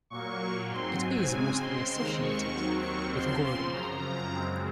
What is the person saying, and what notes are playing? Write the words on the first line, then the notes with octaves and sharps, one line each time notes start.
It is mostly associated with gold mining.
A#2 F#3 A#3 C#6
G#2 F#3 C4 C6
G#5
C#3 G#3 C4 G#5
C6
D#2 D#3 G#3 C4
C#6
D#2 D#3 F#3 C4
C#6
C#3 F3 C4 C6
C6
F#2 C#3 F3 A#5
F#2 C#3 G#3 C4